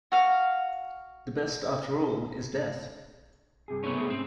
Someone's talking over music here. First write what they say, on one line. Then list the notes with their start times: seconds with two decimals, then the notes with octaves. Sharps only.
The best, after all, is death.
0.12 F#4 F5
3.68 G2 C3 G#4
3.84 A3 B3 C#4
3.98 G#3
4.10 G#2 C4